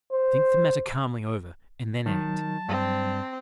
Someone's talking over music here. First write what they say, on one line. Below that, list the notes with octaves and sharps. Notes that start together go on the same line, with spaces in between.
Think the matter calmly over, and then act.
C5
D#3 F#3 A5
G2 C4